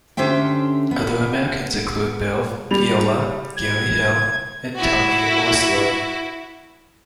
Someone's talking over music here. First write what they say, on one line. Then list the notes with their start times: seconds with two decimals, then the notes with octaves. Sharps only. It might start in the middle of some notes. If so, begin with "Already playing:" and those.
Other Americans include Bill Viola, Gary Hill and Tony Oursler.
0.17 D3 C#4 G4 C5 E5 G5
0.91 B3
2.71 G3 F7
3.57 G#6
4.76 E4 F#4